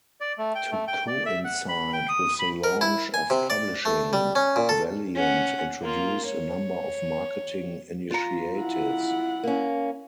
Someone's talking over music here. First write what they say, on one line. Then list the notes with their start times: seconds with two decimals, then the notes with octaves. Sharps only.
To coincide with the launch of publishing, Valiant introduced a number of marketing initiatives.
0.21 D5
0.38 A3
0.55 G5
0.72 A3
0.88 G5
1.07 D5
1.26 E5
1.44 F#5
1.69 B5
1.93 G5
2.09 D#6
2.39 B5
2.64 A#4
2.81 E4
3.14 G#5
3.30 C3
3.50 D5
3.85 A3
4.13 G3
4.35 C#4
4.56 A#2
4.69 A4
5.15 C#4 F#5
5.81 A#3 F4
6.26 C#5
8.11 F4 A#5
8.58 E4 F#5
9.43 A#3 C#4